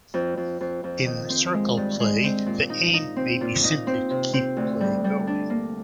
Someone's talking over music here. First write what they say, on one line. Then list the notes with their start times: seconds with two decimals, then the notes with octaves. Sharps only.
In circle play, the aim may be simply to keep play going.
0.14 F2
0.37 F2
0.61 F2
0.84 F2
1.06 D#3
1.30 C4
1.54 G#3
1.77 G2
2.00 G#3
2.24 C4
2.46 A#2
2.70 D#4
2.94 D#4
3.16 C4
3.41 A#2
3.64 D#4
3.87 C4
4.10 C3
4.33 C4
4.57 D2
4.80 G3
5.04 G3
5.27 D4
5.50 A#3